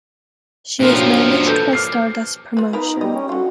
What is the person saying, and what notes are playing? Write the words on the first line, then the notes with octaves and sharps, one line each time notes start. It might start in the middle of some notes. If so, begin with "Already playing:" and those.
She is managed by Stardust Promotion.
G2 A#2 F3 A#4
A#3 F#4 C#5
A4 B4 G6
D6 F6 C7
F4 B4
B3 D#4 A#4 B4
G3 D#5
C#4
D3 F4 F#4